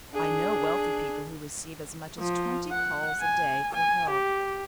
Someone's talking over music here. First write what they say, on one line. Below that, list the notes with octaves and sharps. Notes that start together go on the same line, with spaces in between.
I know wealthy people who receive as much as twenty calls a day for help.
D4 G#4
F3
F#5
G#5
G#5
G4